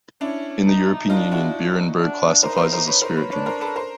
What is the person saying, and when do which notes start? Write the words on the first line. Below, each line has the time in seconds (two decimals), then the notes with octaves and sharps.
In the European Union, Beerenburg classifies as a spirit drink.
0.21 C#4 D4 E4
0.66 D#4
1.10 D4 D#4 F4
1.32 E4 F#4
1.99 D4
2.42 D#4 A#4 C5
2.52 B4
2.57 A#4 C5
2.72 A#4 C5
2.87 B4 C#5
3.02 A#4 C5
3.16 B4 C#5
3.32 D4 B4 C#5
3.46 A#4 C5
3.61 A4 B4
3.76 A#4 C5